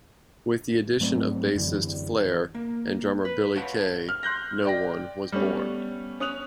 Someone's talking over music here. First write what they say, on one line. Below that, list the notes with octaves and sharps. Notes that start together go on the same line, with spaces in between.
With the addition of bassist Flare and drummer Billy K, No One was born.
G#2 F#3 A3 C4
F#2 D3 E3
A#3
B4
C5 C#5 F5 F#5 A5 B5
F6
C6 F#6 G6 A#6
D5 G5 A#6
G3 A3 B3 C#4
C#4 D#6 F#6 F7